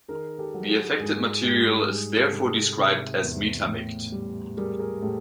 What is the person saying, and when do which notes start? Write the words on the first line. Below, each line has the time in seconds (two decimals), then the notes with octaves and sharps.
The affected material is therefore described as metamict.
0.08 D#3 G#4 A#4
0.39 G4 A4
0.54 F#3
0.69 G#4
0.98 G#2 G#4
1.43 G#2 G4
1.88 G3 G#4
2.18 G4 A4
2.32 C3
2.48 G#4
2.78 C3
3.23 E2
3.67 A2
4.12 G3
4.57 G3 G#4 A#4
4.79 G#4 A#4
5.02 A2 G4 A4